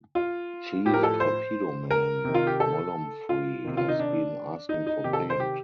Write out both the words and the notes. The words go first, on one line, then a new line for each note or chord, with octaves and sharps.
Chief Torpedoman Molumphry has been asking for paint.
F4
A2 F3 G4
A#4
A4
C5
A#4
C3 D#3
F4
G4
A4
F4
C3 D#3
F4
D#4
D4
D#4
D#4
C3 D#3 G4
A4
C5
G4